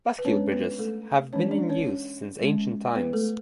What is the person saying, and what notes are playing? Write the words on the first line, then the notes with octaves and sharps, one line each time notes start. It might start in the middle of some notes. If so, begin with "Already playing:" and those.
Bascule bridges have been in use since ancient times.
B4
G#3 B3 C#4 D4 C#5
B3 B4
A3 A4
E3 G#3 C#4 D4 C#5
D4 D5
C#4 C#5
G#3 C#4
B3 B4
A3 A4